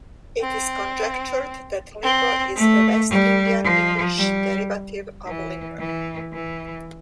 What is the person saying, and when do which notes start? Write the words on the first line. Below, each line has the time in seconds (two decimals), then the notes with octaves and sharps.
It is conjectured that limbo is a West Indian English derivative of 'limber'.
0.40 C4
2.02 C4
2.56 A3
3.10 G3
3.64 F3
4.17 G3
5.26 E3
5.79 E3
6.33 E3